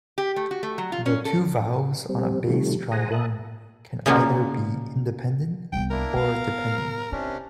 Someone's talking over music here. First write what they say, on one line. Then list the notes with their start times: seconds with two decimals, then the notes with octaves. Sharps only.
The two valves on a bass trombone can either be independent or dependent.
0.18 G4
0.36 A3
0.51 F#4
0.63 A3
0.78 F#3
0.92 F4
1.06 C#4
1.25 A4
2.09 G3 C4
2.47 C3 D#3 F3 G3 A3
2.92 G#4 C5 F#5 G#5 A#5 D#6
3.12 E5 A5 D#6 F#6
4.06 A#2 C#3 F3 A#3
5.73 C2 B3 G5
5.90 A#3 D4 E4 A#4
6.15 B3 F5
7.12 C3 C#4 D4 E4